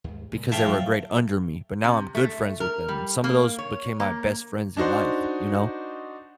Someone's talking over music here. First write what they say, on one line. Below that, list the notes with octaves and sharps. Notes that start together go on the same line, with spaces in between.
because they were a grade under me, but now I'm good friends with them, and some of those became my best friends in life, you know?
D#2 G#2
A#2 C#3 G#3
F3 A3 E5 F5 G5 A5
F2 A2 D#3 F#3
C3
A3
A#4
G3
A#3
C#5
A#3
D4 D#4 F#4 C5